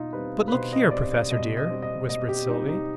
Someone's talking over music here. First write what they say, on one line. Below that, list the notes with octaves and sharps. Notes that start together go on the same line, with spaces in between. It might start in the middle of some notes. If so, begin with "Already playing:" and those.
"But look here, Professor dear!" whispered Sylvie.
Already playing: B2 D#4 F4
G3 C4 B4
B4
B2 C5
D#5
G3 C4 D5
D5
B2 D#5
D#5
G3 C4
D#5
B2 D#5
G4
G3 C4 D#4
D#4